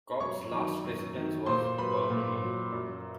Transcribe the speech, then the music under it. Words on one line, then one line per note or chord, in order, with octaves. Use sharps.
Cobb's last residence was Birmingham.
F#2 C#5 C#6
D#3 F#3
F#2
D#3 F#3
A#2 C5 C6
F#3 B4 B5
A#2
F#3
F#2